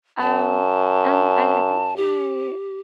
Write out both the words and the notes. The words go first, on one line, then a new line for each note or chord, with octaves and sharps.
um, and I I think my
F#2 A5
G4